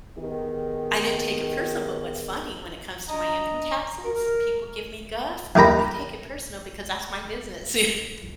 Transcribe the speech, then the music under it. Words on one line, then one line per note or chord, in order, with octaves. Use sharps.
I didn't take it personal, but what's funny when it comes to my income taxes, people give me guff, oh, I take it personal because that's my business. You
D#3 B3 D#4 G4 G#4
D4 D#5 A#5
A#4
D#2 D#3 G4 A#5 B5